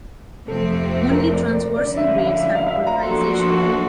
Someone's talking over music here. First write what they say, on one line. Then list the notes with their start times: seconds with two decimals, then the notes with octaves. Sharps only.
Only transversal waves have polarization.
0.48 F2 C3 F3 A3 C4 A4
1.12 A#4
1.33 D5
1.54 D5
1.75 D3 F3 G#3 C#4 E4 D5
1.97 E5
2.18 F5
2.39 E5
2.55 F5
2.67 F5
2.70 E5
2.87 A#5
3.02 F3 A#3 D4 F#4 A4 C6
3.18 C6
3.34 C6
3.50 C#6